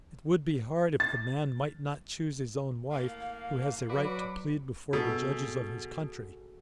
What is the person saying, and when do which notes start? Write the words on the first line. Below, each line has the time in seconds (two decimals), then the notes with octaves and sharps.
It would be hard if the man might not choose his own wife, who has a right to plead before the Judges of his country.
1.00 A6
2.91 A2 A#3 F5
3.90 F#3 F#4 B4 D5
4.93 B2 F#4 G#4 A4